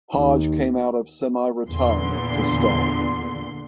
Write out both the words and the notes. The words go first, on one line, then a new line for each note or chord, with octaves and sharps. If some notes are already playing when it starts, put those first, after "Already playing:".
Hodge came out of semi retirement to star.
D#2
E2 A#2 D3 C6